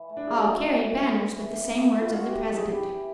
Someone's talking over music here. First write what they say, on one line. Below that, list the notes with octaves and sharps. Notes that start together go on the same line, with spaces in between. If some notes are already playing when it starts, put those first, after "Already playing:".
All carried banners with the same words of the President.
Already playing: E3
A3
D4
G2 G#4
G4
F#4
A3
E3
C4
G2
E3
A2
E3
G3
F4
E3
F#4
E3 G4
B3
G#4
B3 G4
E3